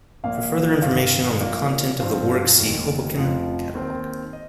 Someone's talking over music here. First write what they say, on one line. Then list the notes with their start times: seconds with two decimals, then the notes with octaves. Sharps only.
For further information on the content of the work see "Hoboken catalog".
0.24 A#1 A#2 A#3 F5
0.82 G2 D#3 G3 F5
1.40 A#1 A#2 A#3
1.99 G2 F3 C4 F5
2.58 F1 D#2 D#3
3.17 F1 F2 F3
3.75 D#2 D#3 C4
4.33 D#5